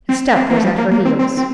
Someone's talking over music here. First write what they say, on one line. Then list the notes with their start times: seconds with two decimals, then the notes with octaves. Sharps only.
A step was at her heels.
0.09 C4
0.36 C4
0.50 A#3
0.57 A3
0.64 G3
0.78 A#3
0.91 A#3
1.05 C4
1.19 C4
1.37 C4